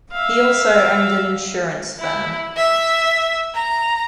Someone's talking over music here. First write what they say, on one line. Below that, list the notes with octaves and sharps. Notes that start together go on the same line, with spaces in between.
He also owned an insurance firm.
E5 F5
E4
E5
A#5